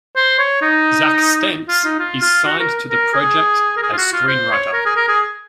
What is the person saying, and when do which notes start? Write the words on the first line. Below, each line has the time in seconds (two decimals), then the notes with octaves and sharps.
Zack Stentz is signed to the project as screenwriter.
0.16 C5
0.39 C#5
0.62 D#4
1.68 F4
1.84 D#4
1.99 F4
2.22 F4
2.45 F#4
2.60 A#4
2.91 A#4
3.14 G#4
3.77 A#4
3.82 G#4
3.93 F4
3.98 F#4
4.13 F4
4.28 C5
4.51 C#5
4.73 A#4
4.86 G#4
4.96 A#4
5.08 G#4